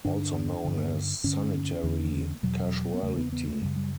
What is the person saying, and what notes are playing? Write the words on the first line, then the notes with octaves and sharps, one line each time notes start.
Also known as sanitary casualty.
G2 D3 D4
G2 D3
G2 D3 C#4
E2 D3
E2 B2 F#3
B3
E2 C#3 A3
B3
B3
A3
F#2 C#3 G3
G3